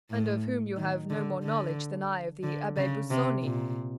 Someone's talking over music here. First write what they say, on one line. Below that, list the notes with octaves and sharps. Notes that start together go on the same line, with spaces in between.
"And of whom you have no more knowledge than I of the Abbe Busoni?"
A2
D#3
D3
D3
D3
C#3
C3
A#2